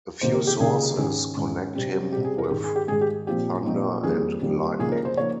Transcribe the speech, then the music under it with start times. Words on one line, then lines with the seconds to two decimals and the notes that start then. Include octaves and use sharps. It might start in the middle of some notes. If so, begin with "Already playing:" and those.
A few sources connect him with thunder and lightning.
0.21 C#2 C3 D#3 A#3 D#4 C5
0.34 A#4
0.47 G4
0.60 C#2 C3 D#3 A#3 D#4 G#4
0.98 G#2 D#3 G#3 C#4
1.37 G#2 D#3 G#3 C#4
1.75 C3 G3 C4
2.12 C3 G3 C4 G4
2.25 G#4
2.38 A#4
2.50 G#2 D#3 G#3 G4
2.64 G#4
2.76 G4
2.88 G#2 D#3 G#3 G#4
3.01 G4
3.27 A#2 F3 C4 D#4 G4
3.65 A#2 F3 C4 D#4
4.03 F2 D#3 G3 A#3 G#4
4.41 F2 D#3 G3 A#3
4.79 C#2 C#3 F3 A#3 D#4 G#4
4.92 A#4
5.05 C5
5.17 C#3 F3 A#3 D#4 C#5